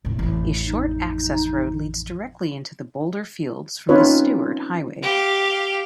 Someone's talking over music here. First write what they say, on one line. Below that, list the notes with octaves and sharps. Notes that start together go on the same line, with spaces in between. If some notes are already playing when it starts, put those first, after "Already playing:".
A short access road leads directly into the boulder fields from the Stuart Highway.
F1 A2
A1 F2 E4
D#4
C4 C#4 D#4 F4 B4 C#5
G4 F5